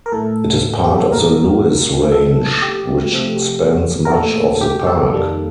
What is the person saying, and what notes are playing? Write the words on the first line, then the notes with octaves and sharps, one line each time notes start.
It is part of the Lewis Range, which spans much of the park.
A#4
A2 A3 A4
G4
A4
A#2 G3 A#3 A#4
C3 F3 A3 A4
G4
C3 F3 A3
A#4
A#2 A3 A4
G4
G4
A4
F2 D#3 G3 A#3